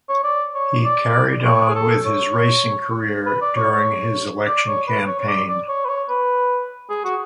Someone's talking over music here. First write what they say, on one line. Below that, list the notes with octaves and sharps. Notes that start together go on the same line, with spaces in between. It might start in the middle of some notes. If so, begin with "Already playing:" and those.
He carried on with his racing career during his election campaign.
C#5
D5
C#5
D5
C#5
G#4
A4
C#5
B4
D5
C#5
C#5
D5
C#5
B4
C#5
C#5
D5
D5
C#5
B4
C#5
B4
G#4
F#4